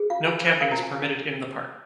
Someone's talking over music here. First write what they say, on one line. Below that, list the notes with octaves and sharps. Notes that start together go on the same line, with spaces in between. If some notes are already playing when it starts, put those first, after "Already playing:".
No camping is permitted in the park.
Already playing: G#4
F4 F5
F4 G#5
C5
G#5
A#4 F5
A#5
F4
G#5